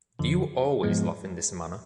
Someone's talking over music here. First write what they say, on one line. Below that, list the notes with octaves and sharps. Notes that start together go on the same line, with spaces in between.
Do you always laugh in this manner?
F2 D3 F3
G#2 F3 G#3 B3